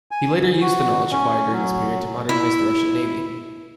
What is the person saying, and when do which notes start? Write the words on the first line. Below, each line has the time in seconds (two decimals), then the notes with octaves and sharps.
He later used the knowledge acquired during this period to modernise the Russian navy.
0.11 G#5
0.40 G#2
0.61 F#4
1.12 C#4
1.53 F#3
2.29 E4